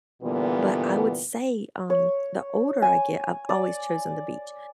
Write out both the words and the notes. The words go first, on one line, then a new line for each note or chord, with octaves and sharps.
but I would say, um, the older I get- I've always chosen the beach,
A#2 D3 E3 G3 B3
C#5
G#5
D5